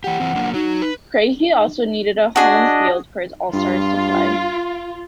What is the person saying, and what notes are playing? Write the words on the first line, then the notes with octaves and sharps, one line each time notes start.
Kraehe also needed a home field for his All-Stars to play.
E3 G4 F#5
E3 C4
F#3 A#3 D4
F#3 D#4 F#4
B4
D4 F#4 G#4 D#5
G2 F4